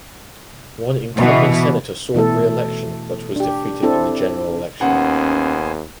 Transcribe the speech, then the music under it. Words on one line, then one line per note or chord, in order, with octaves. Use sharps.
One incumbent senator sought reelection but was defeated in the general election.
B2 E3
B2 E3 A3 A4
D4 G4
C4 D4 E4 A4
D#2 B3 C#4 C5 F#5 G#5